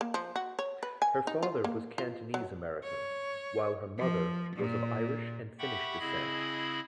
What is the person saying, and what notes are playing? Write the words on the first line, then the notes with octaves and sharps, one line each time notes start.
Her father was Cantonese American, while her mother was of Irish and Finnish descent.
A#3
F3
F#4
C#5
B4
G#5
D#4
F4
A#3
F4
F#3
C#5
F3
A#2
G4 E5 F#5 G5 B5 C#6
C#3 C4 E4 G#4 D#5 B5